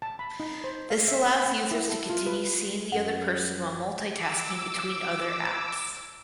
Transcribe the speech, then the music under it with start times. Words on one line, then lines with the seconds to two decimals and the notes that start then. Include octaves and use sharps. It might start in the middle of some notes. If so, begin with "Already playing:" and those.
This allows users to continue seeing the other person while multitasking between other apps.
0.02 A5
0.19 B5
0.40 D#4
0.64 C5
0.90 F5
1.08 E5
1.26 E6
1.46 F#5
1.71 E4
1.89 A4
2.10 F4
2.26 B4
2.92 F#2 F#5
4.11 D6 E6